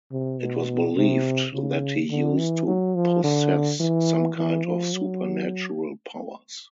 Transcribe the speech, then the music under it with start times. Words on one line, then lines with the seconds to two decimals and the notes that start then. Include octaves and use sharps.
It was believed that he used to possess some kind of supernatural powers.
0.12 C3
0.40 B2
0.96 C3
1.54 C#3
2.10 D3
2.39 E3
2.67 F#3
2.95 F3
3.24 D3
3.80 E3
4.37 E3
4.65 F3
4.93 F#3